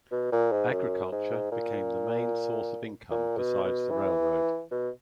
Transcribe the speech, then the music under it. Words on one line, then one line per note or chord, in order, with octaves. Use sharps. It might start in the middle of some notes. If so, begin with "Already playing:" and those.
Agriculture became the main source of income besides the railroad.
B2
A#2
G#2
F#2
G#2
A#2
A#2
B2
B2
E3
B2